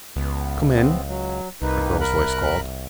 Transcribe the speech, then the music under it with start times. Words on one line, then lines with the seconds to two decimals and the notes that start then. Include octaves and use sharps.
"Come in," a girl's voice called.
0.16 C#2 B3
0.73 B3 C4
1.08 F#3
1.62 C2 A#3 D#4 B4
2.01 A#4 B5 F#6